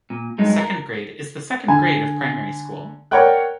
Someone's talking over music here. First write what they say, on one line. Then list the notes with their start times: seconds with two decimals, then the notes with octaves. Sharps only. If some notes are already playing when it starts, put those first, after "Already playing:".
Second grade is the second grade of primary school.
0.10 A#2
0.38 G2 F#3 G#3 D#4
0.58 A#4
1.68 D3 G#5
3.11 A#4 C#5 D5 F#5 G5 F#6